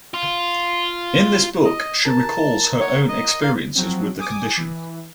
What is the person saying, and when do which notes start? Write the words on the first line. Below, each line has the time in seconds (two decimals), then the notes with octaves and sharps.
In this book she recalls her own experiences with the condition.
0.14 F4
1.65 D#5
2.05 A#4 A5
2.81 C#5 F#5
3.09 D#5
3.42 A#3 F5
3.75 F3 F#3 C4
4.19 G#5 D6 D#6
4.57 E3